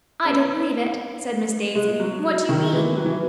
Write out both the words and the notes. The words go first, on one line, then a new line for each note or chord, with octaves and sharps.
I don't believe it!" said Miss Daisy. "What do you mean?
C#4
B3
G#3
F#3
D#3
E3
F#3
E3